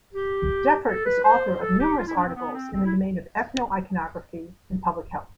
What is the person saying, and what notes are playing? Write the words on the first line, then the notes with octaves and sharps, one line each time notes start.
Defert is author of numerous articles in the domain of ethno-iconography and public health.
G4
A4
B4
C5
A4
G4
F4
E4
D4
C4
B3
C4
C4
E4